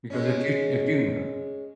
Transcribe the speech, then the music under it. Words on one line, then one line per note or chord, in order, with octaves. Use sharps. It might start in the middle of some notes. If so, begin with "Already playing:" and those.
because if you if you, uh
G#3 C#4